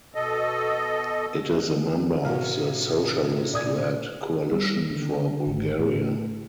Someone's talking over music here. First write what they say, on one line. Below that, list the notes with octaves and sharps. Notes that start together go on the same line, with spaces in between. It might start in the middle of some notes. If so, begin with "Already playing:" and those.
It is a member of the Socialist-led Coalition for Bulgaria.
B2 A4 D#5
A2 C3 F#4 A#4 F5
A#2 D5 D#6 G#6
G3
D3
G#1
A2